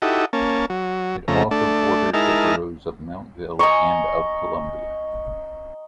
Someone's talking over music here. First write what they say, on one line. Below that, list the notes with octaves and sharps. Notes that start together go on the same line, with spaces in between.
It also borders the Boroughs of Mountville and of Columbia.
D#4 E4 F#4 G4 A4
A#3 C#4 A5
F#3
F2 C#3 A3 A#5
A3 D4
G#3 D#4 E4 A#4 A5 F6
D#5 G#5 A#5 C#6